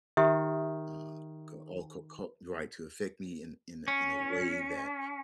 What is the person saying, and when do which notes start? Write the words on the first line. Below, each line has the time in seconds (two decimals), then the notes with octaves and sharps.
uh, go all co co right to affect me in in a in a way that
0.17 D#3 G4 E5
3.88 C#4